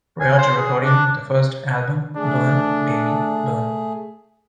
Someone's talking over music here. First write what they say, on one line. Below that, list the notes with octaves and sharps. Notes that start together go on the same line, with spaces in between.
Prior to recording the first album, Burn, Baby, Burn!
G#5
C5
G#4
D4
A3 D4 G#4